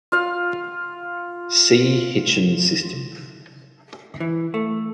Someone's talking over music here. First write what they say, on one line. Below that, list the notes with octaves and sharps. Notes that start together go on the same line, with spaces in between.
See Hitchin system.
F4 F5
E3
A3